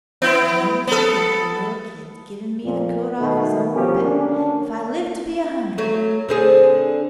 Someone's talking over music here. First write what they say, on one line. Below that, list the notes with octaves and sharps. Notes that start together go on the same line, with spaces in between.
I'll never forget the little kid's givin' me the coat off his own back, if I live to be a hundred.
B3 E4
B3 A4
F2 A#2
B2 D#3 A3
D2 B2 F3 C#4 G4 A#4
D3 A#3 C#4 D4
F#3 A3
D3 C4 G#4